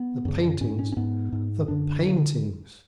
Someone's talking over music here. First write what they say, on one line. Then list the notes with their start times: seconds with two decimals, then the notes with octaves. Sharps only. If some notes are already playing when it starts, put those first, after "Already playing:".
The paintings--the paintings!
Already playing: B3
0.25 F#2 C#3
0.61 G#2 C#4
0.79 C#4
0.92 C#4
0.97 G#2 B3
1.32 G#2
1.68 F#2 D3 D4
2.07 D3